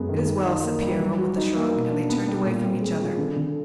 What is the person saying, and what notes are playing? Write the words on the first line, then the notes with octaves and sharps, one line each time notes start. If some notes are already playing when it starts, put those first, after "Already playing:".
"It is well," said Piero, with a shrug, and they turned away from each other.
Already playing: F#2 F#3 G#3 B3
D#3
D#3
D#4
A#3
G3
F#3
F#4
D#4
A#3
B2
D4
B3
G3
A#2
C4
G#3
F3
D3
D3